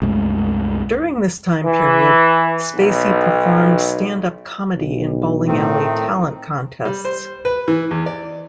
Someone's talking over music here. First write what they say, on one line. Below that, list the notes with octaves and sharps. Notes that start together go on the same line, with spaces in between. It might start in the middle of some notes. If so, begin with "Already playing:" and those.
During this time period, Spacey performed stand-up comedy in bowling alley talent contests.
C2 F#2 G#3 A3
E3
B1
B1
A2 D#3 A3 C4
G3
C5
B4
E3
E2
D5